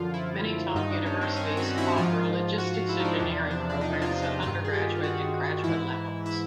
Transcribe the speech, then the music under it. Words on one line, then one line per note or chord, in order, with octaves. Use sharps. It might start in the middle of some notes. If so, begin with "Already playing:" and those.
Many top universities offer Logistics Engineering programs at undergraduate and graduate levels.
Already playing: F#2 D3 F3 F4
E4
G2 D#3 D#4
D4
C#4
C4
C#4
F#4
E4
G#2 F3 F4
F#4
F4
E4
D#4
D4
E2 C3 F3 D4
D4
D4
D#4
F4
D#4
G2 D#3 F4
G#4
G4
F4
F#4
G#2 E3 E4
E4